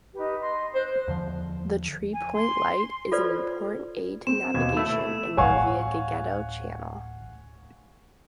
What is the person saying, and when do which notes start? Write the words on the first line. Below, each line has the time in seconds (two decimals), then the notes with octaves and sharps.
The Tree Point Light is an important aid-to-navigation in Revillagigedo Channel.
0.14 D#4 G4 B4
0.40 D#5 C6
0.75 C5 F#6
1.08 E2 D3 F3
2.14 G#5
2.34 C6
3.12 F4 A4 B4 C5 D5
4.27 C4 E7
4.54 D#2 B2 G#6
4.77 A3 E4 E6 E7
5.37 A1 D2 C#5 F5 F#5 G#5 C#6